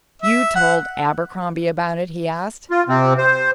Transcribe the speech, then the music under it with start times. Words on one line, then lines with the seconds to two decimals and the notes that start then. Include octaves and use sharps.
"You told Abercrombie about it?" he asked.
0.22 E5
0.56 F#5
2.71 F4
2.89 C3 C4
3.18 C5